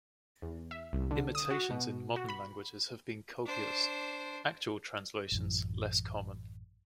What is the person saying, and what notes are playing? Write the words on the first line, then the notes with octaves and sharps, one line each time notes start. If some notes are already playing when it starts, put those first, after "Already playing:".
Imitations in modern languages have been copious, actual translations less common.
E2
E5
C2
D3
D#6
F#4
B2
F#4
B5
D4 C5
A1 F#2 E3